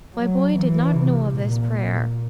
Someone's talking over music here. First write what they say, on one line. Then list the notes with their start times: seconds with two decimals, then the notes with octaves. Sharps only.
My boy did not know of this prayer.
0.15 F#3
0.55 E3
0.94 C3
1.35 A#2